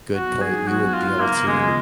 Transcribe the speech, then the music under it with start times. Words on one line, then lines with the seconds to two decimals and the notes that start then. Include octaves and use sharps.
good point, you would be able to
0.15 G#2 F#3 B3 D#4 F#4
0.42 G#4
0.68 F#4
0.94 F4
1.21 D#2 C#3 F3 A#3 B3 F4
1.47 G#3